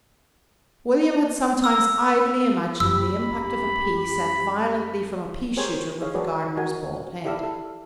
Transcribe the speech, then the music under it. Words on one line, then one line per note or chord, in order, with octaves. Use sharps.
William had sometimes idly imagined the impact of a pea sent violently from a pea-shooter with the gardener's bald head.
E6
F#2 A#3 G4 B5 E6
G4 G#4 A#4 C5 C#5 G#5
G#4 C#5 D#5 F5
F#4 G#4 A4 B4 C#5 D5
D#4 F#4 A#4 G#5
E4 G4 A4 D5 F5 E6
A4